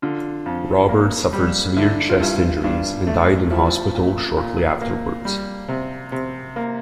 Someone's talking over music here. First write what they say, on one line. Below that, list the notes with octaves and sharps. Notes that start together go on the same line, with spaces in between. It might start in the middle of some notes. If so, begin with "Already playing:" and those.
Robert suffered severe chest injuries and died in hospital shortly afterwards.
D3 F4
F2
A#3
G3
D3 E4
F4
G2 E4
G2 D4
A3
F3 E4
A#2
A#2
A#3
G3
C3
C3
A#3